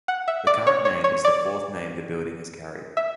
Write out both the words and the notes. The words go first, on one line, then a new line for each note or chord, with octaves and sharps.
The current name is the fourth name the building has carried.
F#5
E5
D5
C#5
C#5
C#5
D5
E5